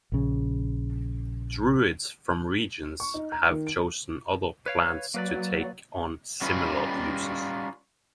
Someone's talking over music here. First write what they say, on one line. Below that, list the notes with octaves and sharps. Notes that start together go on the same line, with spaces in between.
Druids from regions have chosen other plants to take on similar uses.
A#1 C#3
C#6
D#4
A#5
D#3
D7
B4 C#5 F5
F#3 A#3 B4 D5
G3 C#4 D#4 F4 B4